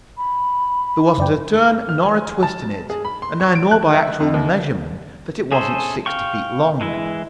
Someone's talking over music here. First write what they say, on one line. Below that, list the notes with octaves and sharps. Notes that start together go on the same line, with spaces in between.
There wasn't a turn nor a twist in it, and I know by actual measurement that it wasn't sixty feet long.
B5
F#2 D5 G5
F6
G#5
A5
G#4
B5
C6
C#6
D7
F#6
E5
F2
D#2
C#4 G#4 A4 C5
F5 G5 C#6
E3 G#3 E4